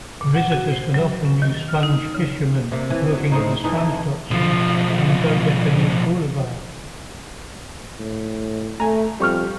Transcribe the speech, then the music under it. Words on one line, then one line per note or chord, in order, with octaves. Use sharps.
Visitors can often view sponge fishermen working at the Sponge Docks on Dodecanese Boulevard.
A#2
F#5
F#4
C5
F#3
C#4
D#3
F6
D#4
C#3
C3 A#3
E3
F#3
A2 C4 D#4
F2 E3 D#4
B1 F3
A2
A3 G#5 A#5
F2 G3 C#6 F6